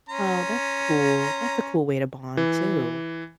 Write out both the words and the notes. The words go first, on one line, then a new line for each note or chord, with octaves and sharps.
Oh, that's cool. That's a cool way to bond, too.
C#4 A#5 C6
E3